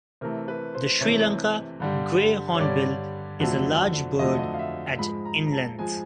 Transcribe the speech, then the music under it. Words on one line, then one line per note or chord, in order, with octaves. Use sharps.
The Sri Lanka grey hornbill is a large bird at in length.
C3 E3 A3 A#4
B4
C5
C3 E3 A3 C#5
G2 D3 G3
C#5
G2 D3 G3 D5
F2 D3 F#3 A3
F2 D3 F#3 A3 D#5
D#5
F5
E5
G#2 F3 G#3 B5
A#5
A#5
A5
F3 G#3 G#5